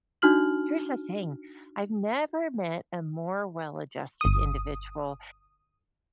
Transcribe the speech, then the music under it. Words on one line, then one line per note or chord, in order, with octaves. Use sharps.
here's the thing, I've never met a more well adjusted individual.
D4 D#4 F#4 F6 F#7
G1 D#6